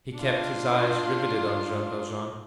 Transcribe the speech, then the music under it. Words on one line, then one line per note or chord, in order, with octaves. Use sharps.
He kept his eyes riveted on Jean Valjean.
D4 F4